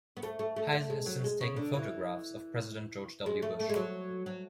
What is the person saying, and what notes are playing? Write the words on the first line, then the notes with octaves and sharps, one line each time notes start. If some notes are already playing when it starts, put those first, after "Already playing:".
Heisler has since taken photographs of President George W. Bush.
B3
A3
A3
A3
A3
G#3
F#3
G#3
C#3
D3
E3
G#3
A3
A3
G#3
F#3
F#3